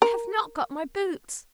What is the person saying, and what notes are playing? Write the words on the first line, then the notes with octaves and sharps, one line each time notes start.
I have not got my boots!
A#4